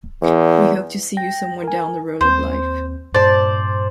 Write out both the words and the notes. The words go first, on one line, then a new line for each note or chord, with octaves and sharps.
We hope to see you somewhere down the road of life.
E2
G5 A#6
A#4 G#5
D#2 C4 C5
G2 A#2 C5 D5 A5